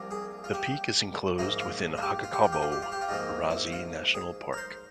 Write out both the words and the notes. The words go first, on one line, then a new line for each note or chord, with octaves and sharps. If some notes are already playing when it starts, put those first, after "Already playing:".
The peak is enclosed within Hkakabo Razi National Park.
Already playing: C2 C3 F3 A#3
G#4
F4
G4
G#2 F3 A#3 E4
F4
F4
G4
F4
G4
F4
G4
F4
G4
F4
G4
F4
G#2 F3 A#3
E4
F4
G#4
A#4
C5